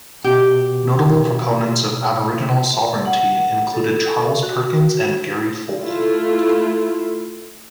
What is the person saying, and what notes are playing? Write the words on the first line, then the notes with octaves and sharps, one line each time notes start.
Notable proponents of Aboriginal sovereignty included Charles Perkins and Gary Foley.
B2 G4
F#5
A4
F#4
A3 E4 F4